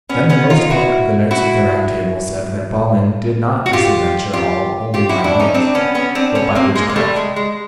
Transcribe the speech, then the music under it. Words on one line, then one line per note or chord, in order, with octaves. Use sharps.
Then the most part of the knights of the Round Table said that Balin did not this adventure all only by might, but by witchcraft.
B3 C#4
B3 C#4
D#4 F4
E4 F#4
E4 F#4
F#4
F4 G4
F4 G4
F4 G4
E4 F#4
D4 E4
C#4 D#4
C4 D4
B3 C#4
B3 C#4
C4 D4
B3 C#4
A#3 C4
G#3 A#3
G#3
G3 A3
G#3
G#3